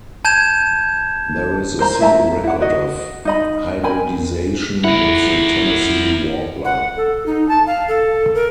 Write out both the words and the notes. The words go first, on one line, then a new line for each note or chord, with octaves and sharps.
There is a single record of hybridization with the Tennessee warbler.
A5 G6 G#6 E7
A#4 C5 A#5
E4 E5 A5 A#5
E4 F#5
F#4 D#5
D#4 D#5 B5
A#4 G5 G#5 B5
E4 A#4 F#5
F#5
A4
D#4
A5
F5
A4
A#4